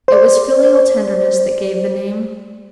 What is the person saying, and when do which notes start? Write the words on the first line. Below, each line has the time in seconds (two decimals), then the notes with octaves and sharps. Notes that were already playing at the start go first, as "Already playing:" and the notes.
It was filial tenderness that gave the name.
0.08 C5 D5